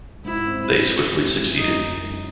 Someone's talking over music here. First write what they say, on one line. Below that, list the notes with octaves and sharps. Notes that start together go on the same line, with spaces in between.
They swiftly succeeded.
G#2 E4
C4
E3
E3
G#3
G#3
F#2 D#4
F#2
F#2